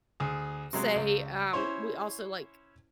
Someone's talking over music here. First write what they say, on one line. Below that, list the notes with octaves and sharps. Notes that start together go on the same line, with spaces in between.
say, um, we also, like
D2 G#4
C3 F#3 G#3
C#2
C#4 E4 C5 C#5 C6